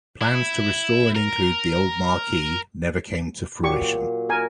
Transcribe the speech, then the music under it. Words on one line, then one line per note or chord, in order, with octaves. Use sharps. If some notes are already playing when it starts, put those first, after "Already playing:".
Plans to restore and include the old marquee never came to fruition.
E4
A#4
A#2 F#3 G4 C#6
A#4 G#5